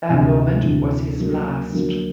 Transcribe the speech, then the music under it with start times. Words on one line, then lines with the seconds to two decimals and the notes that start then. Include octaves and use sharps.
That moment was his last.
0.09 D2 C3 E3
0.62 D2 C3 E3
1.17 D3 F#3 A#3
1.72 D3 F#3 A#3